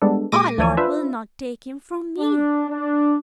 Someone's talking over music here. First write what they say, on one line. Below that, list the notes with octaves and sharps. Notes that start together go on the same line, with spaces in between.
"Our Lord will not take him from me!"
G3 G#3 B3 D4 A4
A#2 G#3 D6 A#6 D#7
D2 E3 F3 C#5 D5 G#5
D4 F4 B4 C5 E5
D4
D4